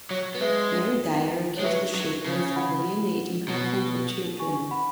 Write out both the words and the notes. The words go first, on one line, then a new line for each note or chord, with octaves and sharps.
Mary Dyer accused the Shakers of alienating her from her children.
F#3 C#5
B3
G#3 B4 E5
C#5
G#3
F#3 B4 E5
F#3
C#3
F#5 B5
B2
G#5 C#6
F#5 B5